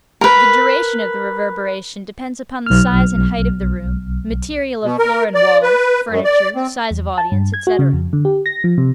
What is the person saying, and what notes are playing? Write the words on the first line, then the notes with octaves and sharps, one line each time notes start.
The duration of the reverberation depends upon the size and height of the room, material of floor and walls, furniture, size of audience, etc.
A#4 B4
B1 F6
B2
A#4
D5
B4
F#2
D5
C4
E2
A5
G2
G#6
F#4
C#3
F2
D3
G4
A#6
F3
C3